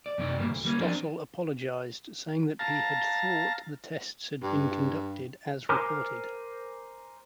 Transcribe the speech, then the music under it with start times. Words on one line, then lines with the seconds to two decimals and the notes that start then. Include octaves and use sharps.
Stossel apologized, saying that he had thought the tests had been conducted as reported.
0.06 D5
0.18 F#2 C3 D#4 C5 D5
0.37 G2 A#2 C#3 G3 A#3
0.51 D2
0.65 G3 A#3 C4 C#4
0.80 F3 C4 D4 A#4 D5 D#5
2.59 F5 A5 A#5
4.42 G2
5.69 A#4 C5 G#5 D6 F6